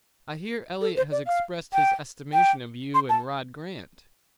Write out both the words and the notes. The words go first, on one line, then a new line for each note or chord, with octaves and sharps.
"I hear Eliot has expressed his estimation of you and Rod Grant."
A4
C5
D5
F5
G5
G5
C6
A5